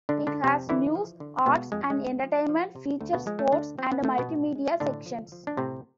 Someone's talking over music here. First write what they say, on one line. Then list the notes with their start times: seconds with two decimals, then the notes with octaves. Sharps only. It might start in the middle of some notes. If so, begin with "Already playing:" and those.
It has news, arts and entertainment, features, sports and multimedia sections.
0.09 D3 D4
0.18 G#3
0.27 D3 D4
0.44 F2 C3 C4
0.69 D3 E3 E4
0.95 F3
1.20 D3
1.46 B2 G#3 B3
1.72 F2 G#3
1.90 G#3
1.97 D2
2.24 F3
2.49 F3
2.76 C3
3.01 D2 A3
3.13 B2 B3
3.26 F3 G#3
3.39 A3
3.52 D2 D3 D4
3.78 F3 C4
3.92 B3
4.04 F3 A3
4.18 B2 B3
4.29 A2
4.55 G#3
4.80 A2 D3 D4
5.06 F3
5.32 F3
5.47 D4
5.57 A2 C3 C4